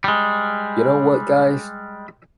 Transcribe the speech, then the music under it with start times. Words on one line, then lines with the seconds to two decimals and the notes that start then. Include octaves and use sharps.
You know what, guys?
0.04 G3 G#3